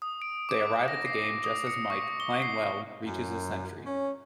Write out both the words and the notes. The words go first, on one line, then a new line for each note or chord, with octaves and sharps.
They arrive at the game just as Mike, playing well, reaches his century.
D#6
D7
D6
A#6
C7
D#6
C#7
C#6
G7
C7
F#2
C#4